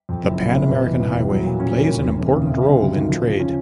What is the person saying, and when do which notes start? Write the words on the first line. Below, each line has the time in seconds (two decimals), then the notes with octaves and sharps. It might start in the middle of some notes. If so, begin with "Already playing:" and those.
The Panamerican Highway plays an important role in trade.
0.09 F2
0.24 F#1
0.39 F#1
0.54 C3
0.69 B2
0.84 E2
0.99 E2
1.14 G3
1.29 F#3
1.44 A#2
1.59 C#4
1.75 A#3
1.89 D#2
2.04 F1
2.19 F1
2.35 C#3
2.49 C3
2.65 D2
2.79 F#3
2.95 D#3
3.10 F3
3.25 C#3
3.39 C#4